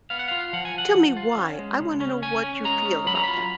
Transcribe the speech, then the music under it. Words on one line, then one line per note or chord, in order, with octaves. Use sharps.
Tell me why. I wanna know what you feel about that.
B3 F5
F#5
F4 F5
F3 F#5
G#5
F3 F#5
F3
F4
C#4
G#3
C#3
C#4
C#4 G#5
C#4
G#3 A#5
C#4
F#3 B5
A#5
F4 B5